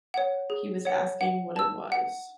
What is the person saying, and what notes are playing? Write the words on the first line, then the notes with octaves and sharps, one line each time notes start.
He was asking what it was.
C#5 F#5
G#4
C#5 F#5
F#5
A5 E6
F#5